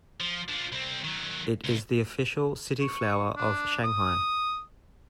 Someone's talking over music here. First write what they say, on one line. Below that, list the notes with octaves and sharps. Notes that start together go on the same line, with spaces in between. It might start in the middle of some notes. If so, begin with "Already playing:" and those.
It is the official city flower of Shanghai.
F3
F3 D4
C2 C4
D#3 F#3
C#2
C#6
D4
D#6